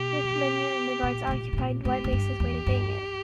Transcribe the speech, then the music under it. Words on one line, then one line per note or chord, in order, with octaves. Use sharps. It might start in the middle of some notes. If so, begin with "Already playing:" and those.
With Manute and the guards occupied, Dwight makes his way to Damien.
Already playing: B2 G4
A#2
G#2
A#2
B2
A#2
G#2 G4
G#2
G2
E2
G2